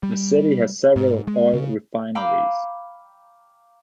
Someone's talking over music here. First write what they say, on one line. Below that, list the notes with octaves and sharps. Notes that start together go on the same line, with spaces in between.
The city has several oil refineries.
G3
G#2
G#3
C#3
F5 G5 A#5 B5 D6 E6